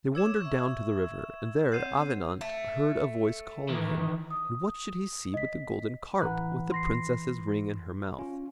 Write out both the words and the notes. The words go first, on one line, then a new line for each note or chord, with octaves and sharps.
They wandered down to the river, and there Avenant heard a voice calling him, and what should he see but the golden carp, with the Princess's ring in her mouth.
C#5 D6 E6 G#6 E7
E5 C#6
C4 C#5 F#5 G6 C7 D#7
A3
D#3 E3
D#6
D#5 B6
A1 E3 F#5 A#5 B5 F#6
C6 A#6 C7
C#4 F4